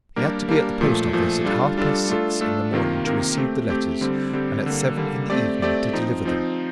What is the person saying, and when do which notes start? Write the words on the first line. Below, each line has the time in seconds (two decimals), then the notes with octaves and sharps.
He had to be at the post office at half-past six in the morning to receive the letters, and at seven in the evening to deliver them.
0.16 G3 A#3 D4 G4 A#4
0.48 G3 A#3 D4 G4 A#4
0.81 A#2 F3 A3
1.13 A#2 F3 A3
1.45 G3 D4 F4 A4
1.77 G3 D4 F4 A4
2.09 A3 D4 F4 A4
2.41 A3 D4 F4 A4
2.73 C3 D#3 A#3 F4 A#4
3.05 C3 D#3 A#3 F4 A#4
3.37 A3 C4 G4
3.69 A3 C4 G4
4.01 D3 G3 C4 G4
4.33 D3 G3 C4 G4
4.66 D3 G3 A#3
4.97 D3 G3 A#3
5.30 A3 C4 G4 D5
5.62 A3 C4 G4 D5
5.93 F3 C4 D#4
6.25 F3 C4 D#4